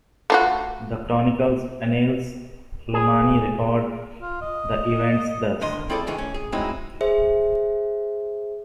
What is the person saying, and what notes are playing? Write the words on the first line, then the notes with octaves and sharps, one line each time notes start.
The chronicles Annales Romani record the events thus...
A3 F4 F#4
G#4
F4
D#5
E2 D3 D#3 D#5 C6
C4 E4 G#4 A4 B4 D5
C#2 D#3 E3 G#4
C#4
G#4
F#3 G#3 C4 D#4 E4
G#4 C5 E5